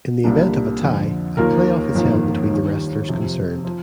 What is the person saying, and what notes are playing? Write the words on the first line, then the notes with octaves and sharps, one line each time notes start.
In the event of a tie a play-off is held between the wrestlers concerned.
C2 A#2 G3 A#3 D4
F2 D3 F3
D#2 D#3 A#3 F4 A#4
G1 F2 D#3 A#3
D#2 D#3 G3
F2 C3 F3
F3